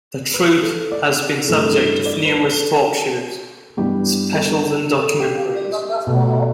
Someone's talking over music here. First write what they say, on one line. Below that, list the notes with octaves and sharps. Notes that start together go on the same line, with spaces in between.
The troupe has been subject of numerous talk shows, specials and documentaries.
B4
A4
D5
G2 E3 A3 A4
D5
B4
A4
G2 E3 G3 B3 G4
A4
A4
G4
B2 A3